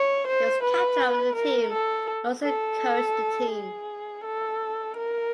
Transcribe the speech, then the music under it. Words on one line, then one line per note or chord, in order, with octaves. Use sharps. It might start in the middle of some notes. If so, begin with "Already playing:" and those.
He was captain of the team and also coached the team.
Already playing: C#5
C5
B4
A#4
A4
A4
G#4
A4
A#4